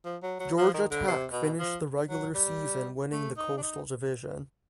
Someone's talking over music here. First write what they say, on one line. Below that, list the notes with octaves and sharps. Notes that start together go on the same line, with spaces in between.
Georgia Tech finished the regular season winning the Coastal Division.
F3
F#3
F#3
F3
D#3
D3
C3
B2
F3
F#3
G3
A3
D#4
D4
D#4